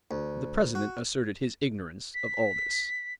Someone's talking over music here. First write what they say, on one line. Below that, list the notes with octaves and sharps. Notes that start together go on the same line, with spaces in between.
The President asserted his ignorance of all this.
D2
F#4
B6